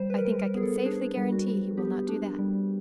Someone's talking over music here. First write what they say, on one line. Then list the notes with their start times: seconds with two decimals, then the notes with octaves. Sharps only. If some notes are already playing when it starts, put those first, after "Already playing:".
"I think I can safely guarantee he will not do that."
Already playing: G3 C5
0.10 B4
0.17 A#4
0.25 G3
0.39 A#4
0.55 B3 G#4
0.63 A4
0.85 D4 G#4
1.17 G3
1.32 F#4
1.48 G3
1.77 B3 G4
2.09 D4
2.39 G3